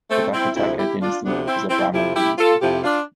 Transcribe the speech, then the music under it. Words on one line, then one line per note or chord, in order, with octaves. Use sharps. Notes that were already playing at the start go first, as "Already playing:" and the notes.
The Vakataka dynasty was a Brahmin dynasty.
A3 C4
C4 E4
D2 C3 F3 C4 E4
E4 G4
D4 F4
D2 C3 F3 B3 D4
C4 E4
C4 E4
F2 C3 F3 E4 G4
E4 G4
F4 A4
F2 C3 F3 E4 G4
D4 F4